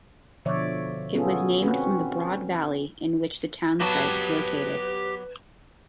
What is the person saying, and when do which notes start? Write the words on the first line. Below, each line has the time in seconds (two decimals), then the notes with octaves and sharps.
It was named from the broad valley in which the town site is located.
0.45 B2 D3 F3 C#5 D5 E5
1.15 B3 C#4 F4 G#4 A4
1.62 C4 C#4 F#4 B4
3.80 F#3 B3 F#4 G4 B4 A5